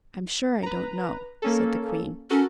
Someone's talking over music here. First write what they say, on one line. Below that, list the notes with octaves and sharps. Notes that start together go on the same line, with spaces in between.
"I'm sure I don't know," said the queen.
B4 A#5
A#3 C#4 A4
C#4 F#4 A4 A#4